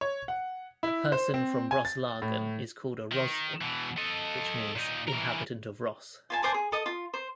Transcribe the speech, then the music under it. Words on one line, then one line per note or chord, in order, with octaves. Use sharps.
A person from Roslagen is called a "Rospigg" which means "inhabitant of Ros".
C#5
F#5
E4
C5
C4
G#5
A6
A2
D#3
B2 E3
A4 D#5
A#2 D#4
E3 A#4
F4 G#5 A5
C5 D5 G#5 A5
G#4
A4 D#5 D#6
F4
C5